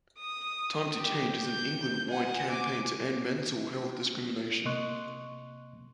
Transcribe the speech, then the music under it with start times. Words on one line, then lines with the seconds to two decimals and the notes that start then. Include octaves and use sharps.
Time to Change is an England-wide campaign to end mental health discrimination.
0.19 D#6
0.97 G4
1.46 G6
2.09 F#5 G#5
2.47 G#5 D6
4.65 C3 A#3 D#5 C6 C#6 F#6